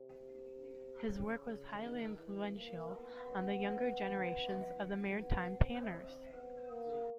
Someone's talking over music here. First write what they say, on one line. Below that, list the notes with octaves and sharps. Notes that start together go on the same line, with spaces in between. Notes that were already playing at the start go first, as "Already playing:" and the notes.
His work was highly influential on the younger generation of maritime painters.
Already playing: C3
C#3
D#3
E3
A#3
B3
B3
C4
B3
A#3